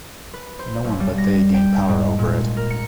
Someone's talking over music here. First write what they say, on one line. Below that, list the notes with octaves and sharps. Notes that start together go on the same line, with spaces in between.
No one but they gained power over it.
B4
C5
B1
G3
A#6
G5
G#2
A#2
A#4
C#7